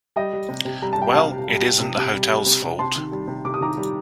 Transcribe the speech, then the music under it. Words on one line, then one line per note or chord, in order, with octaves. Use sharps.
Well, it isn't the hotel's fault.
G3 D#5 G5
G3
C3
C3
G3 A#5
A5
G3 G5
C3 F5 A5
C3
G3
G3
C3
C3
G3
G3
C3
C3
C3 A5 C6
D#3
G3
C3
C3 D6
D#6
D#3 A#5 D6
G3